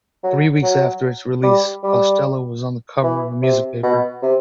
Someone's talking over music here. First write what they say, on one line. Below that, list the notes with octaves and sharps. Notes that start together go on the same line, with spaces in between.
Three weeks after its release, Costello was on the cover of a music paper.
F#3
F#3
G3
G3
E3
C3
B2
C3